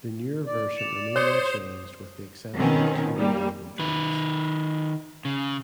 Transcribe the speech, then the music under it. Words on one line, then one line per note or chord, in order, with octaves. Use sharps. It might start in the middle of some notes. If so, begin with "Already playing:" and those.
The newer version remain unchanged with the exception of two new album tracks.
D5
C#7 E7 F7
C5 C#5 D#6 G#6 C#7
B2 D#3 C4 C#4
G3 A#3
D#3 B4
C#3